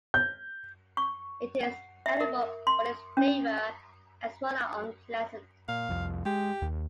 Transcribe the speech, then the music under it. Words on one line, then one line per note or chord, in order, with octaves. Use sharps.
It is edible but its flavor and small are unpleasant.
G6
C#6
F#5
E5
A#4
C6
C#4
A#2 F5
C2 F2
G#3 G4
D#2